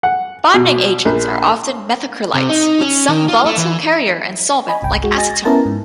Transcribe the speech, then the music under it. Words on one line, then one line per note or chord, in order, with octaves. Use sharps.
Bonding agents are often methacrylates with some volatile carrier and solvent like acetone.
F#5
B2
A#1
C3
D#4
C#4
D#3
F4
A3
E3
D#5 G#5 B5
G1 C2 G5
G#3 F#4
D#5 G#5 A6 A#6
B3 C#4 E4 A#4 A5
G#2